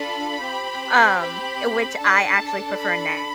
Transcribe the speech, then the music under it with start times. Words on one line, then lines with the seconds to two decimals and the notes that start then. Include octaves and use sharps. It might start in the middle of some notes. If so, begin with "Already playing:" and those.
um, uh, which I actually prefer now
Already playing: D4 F4 A4 B5
0.41 C4 G4
1.19 B5
1.98 D4 A4 A5
2.77 B5